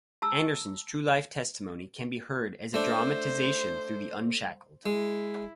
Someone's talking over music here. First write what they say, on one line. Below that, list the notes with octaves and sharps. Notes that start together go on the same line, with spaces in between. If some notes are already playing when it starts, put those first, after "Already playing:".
Anderson's true life testimony can be heard as a dramatization through the Unshackled!
A5 A#5 E6
A3 D4 C5
G#3 E4